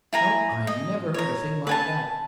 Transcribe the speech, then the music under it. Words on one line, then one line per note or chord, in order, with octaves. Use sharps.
"No; I never heard a thing like that!"
E4 G#5 A#5
D#5
C#5 A#5
B4 G#5 A5